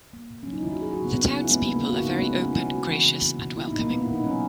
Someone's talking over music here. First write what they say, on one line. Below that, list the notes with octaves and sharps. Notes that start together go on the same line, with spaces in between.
The townspeople are very open, gracious and welcoming.
A#3
B2
F#3 C#4
D#4
D#3 E4
F#4
F#3 G#4
F#4
C#3
B3
A#3 B3
C#4
B2 D#4
E4
G#3 B3
A#3
C#3 B3
A#3
G#3 F#4
E4
C#3 D#4
C#4
G#3 B3
C#4
B2
C#4
A#3 E4
B2 F#4
E3
C#3
A#3
B2
A#3 E4
D#4
A#2
A#3
A#3 B3
E4
B2
D#4
F#3 C#4